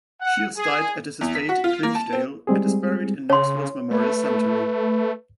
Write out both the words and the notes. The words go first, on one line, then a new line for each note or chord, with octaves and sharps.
Shields died at his estate "Clinchdale" and is buried in Knoxville's Memorial Cemetery.
F#5
G#4
E2
B6
F#4
F4
A#3
A5
C4
G3 G#3 C4 G#4
C#3 C#5 C6
A3 B4